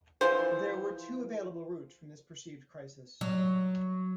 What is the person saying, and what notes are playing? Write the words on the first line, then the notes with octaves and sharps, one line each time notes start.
There were two available routes from this perceived crisis.
E3 F3 C5
F#3